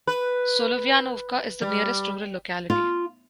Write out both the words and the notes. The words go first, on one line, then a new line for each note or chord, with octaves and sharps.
Solovyanovka is the nearest rural locality.
B4
G3
F4